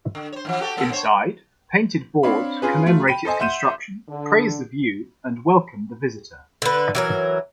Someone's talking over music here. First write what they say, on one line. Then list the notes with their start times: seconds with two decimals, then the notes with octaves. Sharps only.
Inside, painted boards commemorate its construction, praise the view and welcome the visitor.
0.15 D3
0.32 C5 C#5
0.45 G#2 E3 F3
0.60 F#4 G4 A4
0.77 D3 A#3 A4
0.92 C5 C#5
2.23 C4 D4 C#5 F5 B5
2.62 C#4 F4 G#4 B4
2.86 F#3 A3 F4
3.08 G5 B5 D#7
3.25 A4 C5 D#5 G#5
3.40 E5 F#5 C6 G6 D#7 E7
4.09 D3
6.62 D3 B4
6.95 E3 F#3 A#4